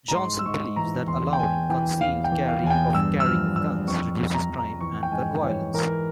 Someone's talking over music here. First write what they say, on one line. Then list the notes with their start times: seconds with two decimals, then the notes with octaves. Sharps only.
Johnson believes that allowing concealed carrying of guns reduces crime and gun violence.
0.08 A#5
0.15 G#2 C6
0.39 E6
0.46 G#2 C#6
0.76 E3 A#5
1.08 E2 C6
1.33 G5
1.38 E2 G#5
1.70 E3 G5
2.01 E2 F5
2.24 G5
2.32 E3
2.48 F5
2.64 E2 G#5
2.70 G5
2.94 G2 E6
3.20 E6
3.26 F3 F6
3.56 G2 E6
3.88 F2 C#6
4.18 F2
4.34 A#5
4.50 F2
4.57 A#5
4.81 E3 C#6
5.03 G5
5.12 G#2 G#5
5.43 E3 C#5
5.74 E3 A#4